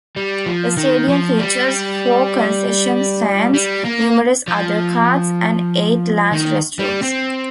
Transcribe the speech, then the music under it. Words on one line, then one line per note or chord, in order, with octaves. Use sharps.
The stadium features four concession stands, numerous other carts, and eight large restrooms.
G3
F3
D#3
F3
G3
G3
A#3
F3
D#3
G3
C4